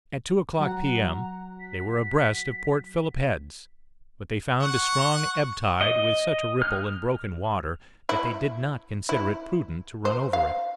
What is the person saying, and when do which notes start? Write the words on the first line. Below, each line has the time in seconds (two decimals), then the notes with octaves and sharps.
At two o'clock p.m. they were abreast of Port Philip Heads; but they found a strong ebb tide, with such a ripple and broken water that they did not consider it prudent to run over it.
0.59 F#3 F#4 F#5 A#5
1.60 B6
4.60 F#5 C#6
5.81 D#5
6.62 F6
8.09 E4
9.09 E4
10.05 C5
10.33 F5